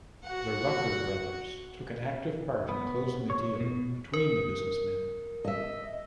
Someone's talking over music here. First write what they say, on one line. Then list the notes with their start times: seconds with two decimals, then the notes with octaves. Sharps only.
The Rucker brothers took an active part in closing the deal between the businessmen.
0.24 F#4 F#5
2.69 B3
3.30 C#5
3.60 B2
4.14 A#4
5.45 D#5 E5